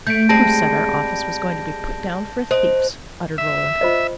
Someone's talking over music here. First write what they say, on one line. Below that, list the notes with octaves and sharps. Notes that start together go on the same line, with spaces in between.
"Who said our office was going to be put down for a thief's!" uttered Roland.
A3 G6 D7
G3 G#3 C4 A5 A#6 D7
C5 D#5
E5
F4 C5 D#5